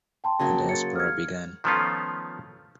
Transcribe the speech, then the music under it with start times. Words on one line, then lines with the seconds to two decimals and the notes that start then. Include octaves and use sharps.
The diaspora began.
0.24 G5 A5 C6
0.39 C#3 F#3 A#3
0.69 A6 C#7
0.96 F6 G#6
1.64 D#3 F3 A3 B3 C#4 F4